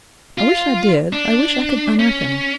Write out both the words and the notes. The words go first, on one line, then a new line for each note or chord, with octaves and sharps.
I wish I did; I wish I could unearth him.
F4
D4
C#4